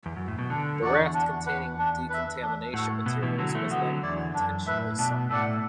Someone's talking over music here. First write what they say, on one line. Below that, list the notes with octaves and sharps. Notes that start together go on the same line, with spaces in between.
The raft containing decontamination materials was then intentionally sunk.
E2
F#2
A2
B2
D3 D4
E2 F#4 D5 F#5
D4
B4 F#5
D4
B4 E5
D4
A2 F#4 A4 F#5
B2 E4
B2 E3
D3 F#3 A4 F#5
E3 A3
D3 F#3 B3
E2 E4 D5
F#2 D4
A2 B4 E5
B2 D4
A2 A4 D5 F#5